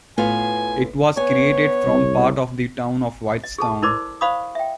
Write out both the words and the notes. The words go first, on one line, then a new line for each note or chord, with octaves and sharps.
It was created from part of the town of Whitestown.
A2 B3 F4 G#5
B3 C#5 G#5
C2
D#5
G#4 A4 A5
E4 A#4 C5 D5 C6 D6
C5 D5 F5 B5 C#6 D#6
E5 G5